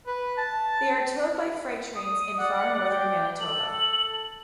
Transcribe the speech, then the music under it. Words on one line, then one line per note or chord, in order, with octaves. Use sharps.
They are towed by freight trains in far northern Manitoba.
B4
A5
D#6
D5 F#5
G5
A4 F#7